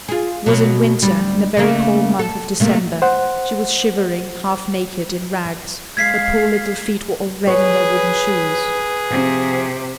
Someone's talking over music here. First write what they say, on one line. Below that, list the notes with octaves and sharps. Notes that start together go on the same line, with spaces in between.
It was in winter, in a very cold month of December, she was shivering, half-naked, in rags, her poor little feet were all red in their wooden shoes.
F4 G#4
B2 F#3
D2 G3
C#3 A3 A#3
A4
C3 A3 A#3
C5 F#5
G#3 F5 G#6 B6 C7
G#4 B4 C#5
C3 F3 C4